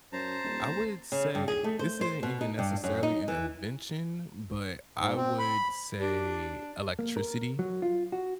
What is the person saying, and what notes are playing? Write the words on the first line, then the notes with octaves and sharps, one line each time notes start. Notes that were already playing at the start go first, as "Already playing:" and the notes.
I would say this isn't even, necessarily, an invention, but I would say, electricity
F#2 C5 A5 A#5
D#1
C#3
G2
G#4
A3
C5
C5
B2
D#4
G2
F#2
D#4
E3
G#2
C4
B5
D4 G4
A#3
A#4
F#3
F4
F#4